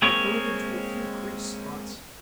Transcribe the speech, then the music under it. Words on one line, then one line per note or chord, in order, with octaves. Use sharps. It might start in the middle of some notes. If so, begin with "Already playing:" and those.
It burned him to a few grease spots.
G#3 A#3 C4 C#4 C#5